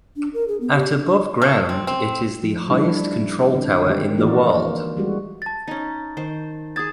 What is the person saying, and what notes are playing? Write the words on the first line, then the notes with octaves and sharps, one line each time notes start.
At above ground it is the highest control tower in the world.
D4
A#4
G#4
B3
G4
D4
D4
A3
C4
C4
F3
F3 G3 A3 D4 E4
D3 C4
D#3 G#3 G4
E3 A#3 F4 F#4 A#4 D5
G3 G#3 F#4
A5 A6
C#4 D#4
D#3 C5
G#4 A5 D#6 G#6 A6